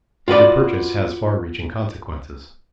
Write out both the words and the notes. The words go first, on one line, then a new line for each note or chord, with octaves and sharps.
Every purchase has far-reaching consequences.
F4 F#4 B4 D5